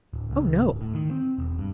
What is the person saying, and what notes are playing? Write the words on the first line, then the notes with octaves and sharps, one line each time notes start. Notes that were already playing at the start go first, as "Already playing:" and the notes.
"Oh no."
D1
C#2
D1
A2
D#3
C4
E1
G2